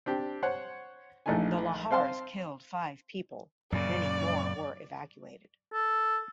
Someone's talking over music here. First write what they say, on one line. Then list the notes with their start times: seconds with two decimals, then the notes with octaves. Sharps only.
The lahars killed five people; many more were evacuated.
0.06 C4 D4 G4
0.43 C5 C#5 F#5
1.26 A#1 E3 A3 D4 D#4 G#5
1.91 C4 C5 F5 A5 C6
3.72 F#2 A#2 C#3 D5
5.73 A4